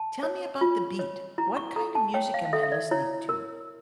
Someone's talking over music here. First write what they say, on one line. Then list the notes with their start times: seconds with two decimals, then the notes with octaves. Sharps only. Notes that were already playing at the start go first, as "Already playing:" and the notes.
Tell me about the beat. What kind of music am I listening to?
Already playing: A5
0.23 C#5
0.61 F4
0.99 C#5
1.38 E4 A#5
1.57 C#6
1.76 A4 A#5
1.95 A5
2.14 C#5 G5
2.34 F5
2.45 F5
2.53 A4 E5
2.63 E5
2.72 D5
2.91 E4 C#5
3.29 A#4